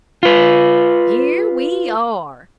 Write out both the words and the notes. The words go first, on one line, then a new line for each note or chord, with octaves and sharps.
"Here we are!"
F4 B4